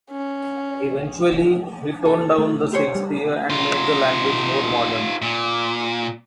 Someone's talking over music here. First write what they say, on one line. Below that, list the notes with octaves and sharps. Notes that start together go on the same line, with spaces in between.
Eventually, he toned down the Shakespeare and made the language more modern.
C#4
A4
A3
G4 C5 C#5
G3
D#4 F4
A#2